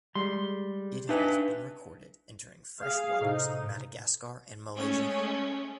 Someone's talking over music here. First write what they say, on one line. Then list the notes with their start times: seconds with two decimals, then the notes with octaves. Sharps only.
It has been recorded entering fresh waters in Madagascar and Malaysia.
0.15 G3 G#3 C6
1.09 D4 D#4 B4 E5 G#5
2.80 G#4 F5
3.21 A2 C3 D#4
4.76 G#3 A3 C#4